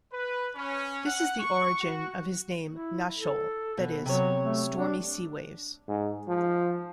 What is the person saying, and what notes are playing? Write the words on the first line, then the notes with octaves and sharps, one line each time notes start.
This is the origin of his name "Nahshol", that is, "stormy sea-waves".
B4
C#4
F#5
C#6
F#4
E4
A4
B2
C3 F#3 C#5
A3
D4
G#2
F3